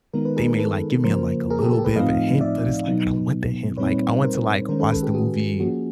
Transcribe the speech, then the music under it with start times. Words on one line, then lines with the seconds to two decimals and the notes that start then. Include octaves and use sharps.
they may, like, "Give me a, like, a little bit of a hint." but it's like, "I don't want the hint, like, I want to, like, watch the movie
0.14 D#3 G#3 B3 D#4 A#4
0.25 B4
0.36 G#4 A#4
0.59 A4 B4
1.04 C#3 F3 A#3 A#4 C5
1.50 G#4 A#4
1.61 G4 A4
1.72 G4 A4
1.84 A4 B4
1.95 A2 F3 A3 C4 D#4 D#5 F5
2.41 D5 E5
2.87 B2 F#3 B3 D#4
3.77 A#2 G3 C4 D#4 B4 C#5
4.24 A#4 C5
4.68 D#3 G#3 C#4 A#4 C5
4.80 A4 B4
4.91 A4 B4
5.03 G4 A4
5.14 F#4 G#4
5.60 F3 A#3 C#4 F#4 G#4